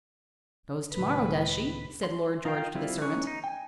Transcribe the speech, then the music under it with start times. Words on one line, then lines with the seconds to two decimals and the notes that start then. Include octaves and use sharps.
"Goes to-morrow, does she?" said Lord George to the servant.
0.92 C#2 A2 D#3 B4
2.03 C6
2.45 D#4 F4 A#4 F5 G5
2.75 G3 C4 E4 F4
3.02 E3 C#4 D#4 C#6 F#6
3.27 D#4
3.44 G5 G#5